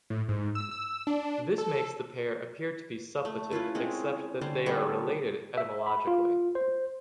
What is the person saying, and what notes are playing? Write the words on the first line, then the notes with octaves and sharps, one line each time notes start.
This makes the pair appear to be suppletive, except that they are related etymologically.
A2
G#2
E6
E6
D4
A4
A3
C#4 E4 F4 B4
G#3 C4 C#4
D3 G3 C#4 C5
G3 A3 B3 A4
E5
B5
F4
C5